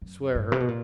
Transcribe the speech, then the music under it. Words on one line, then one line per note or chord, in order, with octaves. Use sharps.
"Swear her."
F#2
G2
C3
B2
A#2